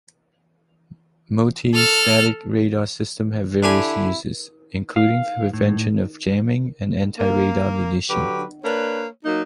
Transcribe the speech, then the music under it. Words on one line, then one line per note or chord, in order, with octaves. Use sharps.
Multistatic radar systems have various uses, including prevention of jamming and anti-radar munitions.
A4 F6
D3 E4 G4 G#5
F5
A2
A#3
D3 F#3 G4 B4
A#3 D4 B4 C#5
F#3 A#3 D#4